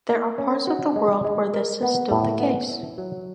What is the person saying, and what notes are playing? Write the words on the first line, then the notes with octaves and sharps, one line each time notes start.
There are parts of the world where this is still the case.
A#4
C#4
F#4
G#3
G#3
A#4
B3
A2
B3
E4
F#3